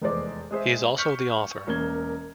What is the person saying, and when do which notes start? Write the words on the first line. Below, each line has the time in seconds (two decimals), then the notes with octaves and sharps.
He is also the author.
0.01 F1 E2 G#3 C5 D5 D6
0.51 G#3 G#4 C5 E5
0.98 C#6 F6 G6 B6 C#7
1.67 E1 A#3 C#4 G#6 G7